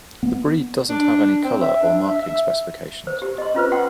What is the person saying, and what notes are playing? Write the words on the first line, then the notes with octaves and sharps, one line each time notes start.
The breed doesn't have any colour or marking specifications.
B3
D4
C4
E5
D4
E5
E5
C5
G4
D#5 C6
C#4 F4 B4 C5
F#5 G5 C6